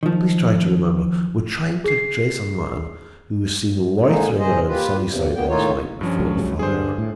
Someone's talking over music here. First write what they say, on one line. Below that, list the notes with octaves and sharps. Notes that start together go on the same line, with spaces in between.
"Please try to remember: we are trying to trace a man who was seen loitering around Sunnyside last night before the fire."
D#3 F3
G#4 C7
D3 G#3 A#3 D#4
G#2 C3 G#4 C5 D#5
A#3 F4 G4 B4
E2 G2 C3
A#3 B3 G5
A2 D#3 A#3 D#4 F4 C#5
G2 F3 C#4
C#2
C#2 F#2 C#3
G2 D3 G#4 C5
A2